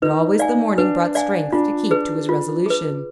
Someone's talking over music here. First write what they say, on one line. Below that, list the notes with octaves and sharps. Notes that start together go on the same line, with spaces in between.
But always the morning brought strength to keep to his resolution.
D#4 B4
D5 F5 G#5
D4 B4
D5 F5 G#5
D4 F4
G#4 B4
F4
G#4 B4